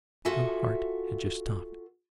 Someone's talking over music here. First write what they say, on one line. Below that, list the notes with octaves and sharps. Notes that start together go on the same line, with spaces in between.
Her heart had just stopped.
F4 F#4 A4 E5 G#5